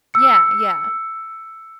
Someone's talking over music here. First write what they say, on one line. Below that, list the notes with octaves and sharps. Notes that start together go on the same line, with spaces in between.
Yeah, yeah.
E6 C#7